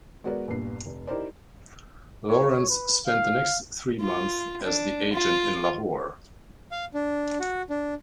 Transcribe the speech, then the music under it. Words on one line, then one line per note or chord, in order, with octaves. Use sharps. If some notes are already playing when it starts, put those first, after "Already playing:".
Lawrence spent the next three months as the agent in Lahore.
G#3 B3 F#4 A#4 B4 D5
A#1 E2 G2 A#2 C7
F1
D#4 E4 G4 A#4 C5 D5
C#5
B4
F5
F4
D4
F4
F5
D4
F#4
D4